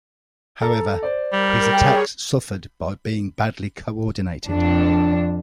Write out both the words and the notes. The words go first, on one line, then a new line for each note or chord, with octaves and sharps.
However, his attacks suffered by being badly coordinated.
A4 A#5
C5 D5
G3 A#4
G#4 C#5 G5
F2 D4